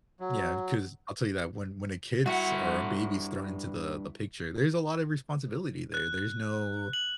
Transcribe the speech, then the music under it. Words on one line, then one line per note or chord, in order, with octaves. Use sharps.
yeah, 'cause I'll tell you that when when a kid's or a baby's thrown into the the picture, there's a lot of responsibility there there's no
F#3
G2 E4 F#4 F#5
F#6
F#7